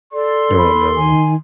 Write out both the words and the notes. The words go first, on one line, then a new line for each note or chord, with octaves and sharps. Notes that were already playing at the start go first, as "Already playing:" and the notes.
Oh, no.
A4 D5 C6
B5
D#3 G#5